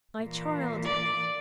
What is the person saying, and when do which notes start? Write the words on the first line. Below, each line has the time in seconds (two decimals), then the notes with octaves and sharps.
My child!
0.22 A#2 E3
0.85 D5